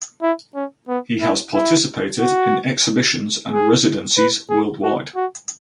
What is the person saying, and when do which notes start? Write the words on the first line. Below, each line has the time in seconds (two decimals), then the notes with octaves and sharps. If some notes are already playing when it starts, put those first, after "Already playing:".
He has participated in exhibitions and residencies worldwide.
0.22 E4
0.55 C#4
0.88 B3
1.21 E4
1.54 E4
2.20 F#4
3.52 G#4
4.17 B4
4.50 G#4
4.83 F#4
5.16 F#4